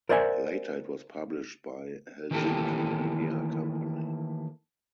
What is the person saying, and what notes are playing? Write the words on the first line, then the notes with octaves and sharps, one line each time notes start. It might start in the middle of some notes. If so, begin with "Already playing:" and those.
Later it was published by Helsinki Media Company.
A#4 C5 D5 E5 F#5 G#5
D#3 E3 A3 A#3 G4 A4